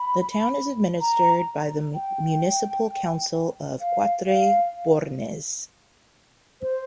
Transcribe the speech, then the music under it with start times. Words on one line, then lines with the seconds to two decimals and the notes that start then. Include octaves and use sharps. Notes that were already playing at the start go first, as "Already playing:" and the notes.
The town is administered by the Municipal Council of Quatre Bornes.
Already playing: B5
1.01 A#5
1.94 G5
3.81 F5
4.28 F5
6.61 C5